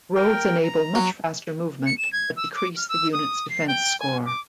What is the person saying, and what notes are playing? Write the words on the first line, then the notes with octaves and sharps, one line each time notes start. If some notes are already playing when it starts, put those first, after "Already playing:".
Roads enable much faster movement, but decrease the unit's defense score.
A#4 G5
A#5
F#3
C#7
E7
G#6
E6
D6
F6
E6
D#6
C7
G5
G#5
D6